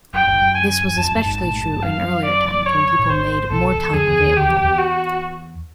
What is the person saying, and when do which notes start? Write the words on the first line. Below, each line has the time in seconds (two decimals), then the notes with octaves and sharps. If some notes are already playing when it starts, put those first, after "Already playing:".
This was especially true in earlier times, when people made more time available.
0.13 F#1 F#2 G5
0.27 G1 G2
0.41 F#1 F#2
0.55 G#5
0.97 F2 A5
1.11 F#1 F#2
1.26 G#1 G#2
1.40 A#2 A5
1.53 A2
1.63 G#2
1.72 G2
1.82 F#1 F#2 F5
2.25 D5
2.66 C#5
2.99 A2
3.09 G#1 G#2 C5
3.51 B1 B2 A4
3.72 E2 E3
3.88 E3
3.93 F2 F3 G#4
4.07 E2 E3
4.22 D#2 D#3
4.36 D2 D3 G4
4.49 E2 E3
4.58 D#3
4.64 E2 E3
4.78 F#4